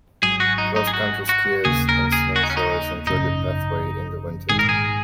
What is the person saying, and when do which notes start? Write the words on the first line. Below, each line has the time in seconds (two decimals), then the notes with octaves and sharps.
Cross-country skiers and snowshoers enjoy the pathway in the winter.
0.22 G#1 G#2 F#3 G#4
0.40 F#4
0.58 D#4
0.76 D#4
0.87 G#4
0.93 F#4
1.29 F#4
1.65 D#2 C#3 A#3 G#4
1.89 A#4
2.12 G#4
2.36 F#4
2.43 D#4
2.50 C#4
2.57 D#4
3.07 G#1 F#2 C#3 D#4
4.49 A#1 G#2 D#3 G#3 G#4
4.59 A#4
4.69 G#4